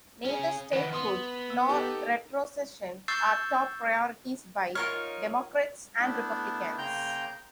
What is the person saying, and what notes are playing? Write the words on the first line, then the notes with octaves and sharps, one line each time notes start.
Neither statehood nor retrocession are top priorities by Democrats and Republicans.
C#4 G#4
D#3 E3 B4 F#5
B3 C6 D#6
E6
D#4 G4 A4
C#6 E6 G6 A6 C7
D#4 F4 A#4 C#5 F6
A3 B3 D4 E4
C#3 A#3 G5 A#5 C6 G6